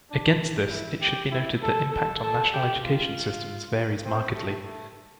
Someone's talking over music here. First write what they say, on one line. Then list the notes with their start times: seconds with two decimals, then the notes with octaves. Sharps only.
Against this, it should be noted that impact on national education systems varies markedly.
0.10 D4
0.71 E4
1.01 G4
1.32 E4
1.62 A4
1.92 A4
2.23 A4
2.53 G4
2.83 F4
4.05 C4
4.35 A3
4.65 A3